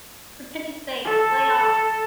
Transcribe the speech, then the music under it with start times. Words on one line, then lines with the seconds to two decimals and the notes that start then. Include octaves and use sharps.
For pity's sake, lay off.
1.04 A4